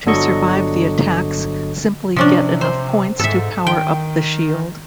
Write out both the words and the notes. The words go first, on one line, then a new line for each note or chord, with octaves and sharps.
To survive the attacks simply get enough points to power up the shield.
G1 D3 F#3 A4 D#5 C#6
C3 F3 C#4 D4
C5
G#2 A4 E5
D#3 G5